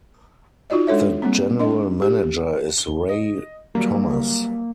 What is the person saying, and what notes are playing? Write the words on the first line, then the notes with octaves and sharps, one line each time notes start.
The general manager is Ray Thomas.
D#4 F4 F#4 D5 D#5
G#3 D4 A4 C#5 E5
G3 A#3 C4
D4 D#5
G4
G7
D#5
F#3 G3 A#3